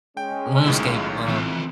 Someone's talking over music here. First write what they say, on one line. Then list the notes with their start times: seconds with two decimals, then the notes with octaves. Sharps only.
RuneScape, um
0.17 G#3 C#4 G5
0.66 B1 A2 D#3 E4 F4
1.28 E3 A3 C4 F4